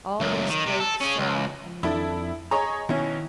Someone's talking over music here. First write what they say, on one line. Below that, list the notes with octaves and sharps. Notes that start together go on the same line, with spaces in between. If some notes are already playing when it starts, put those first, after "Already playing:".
All this Oak saw and remembered.
C#2 F#2
D#3
C3
A4
C#4 G#4
C#2
F2 D4 E4 A4
G#4 C#5 D#5 A#5
B2 D#3 C#4 E4